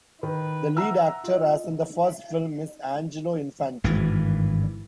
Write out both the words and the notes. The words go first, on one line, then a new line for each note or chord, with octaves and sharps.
The lead actor, as in the first film, is Angelo Infanti.
D#3 B4
E5 F#5 A#5 E6
F4 D#5
G#1 G2 E3